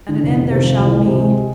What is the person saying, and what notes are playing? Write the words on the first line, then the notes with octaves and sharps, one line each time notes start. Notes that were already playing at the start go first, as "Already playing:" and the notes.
And an end there shall be.
D3
F1
F1
C3
F3
C2
G#3
C3
G#3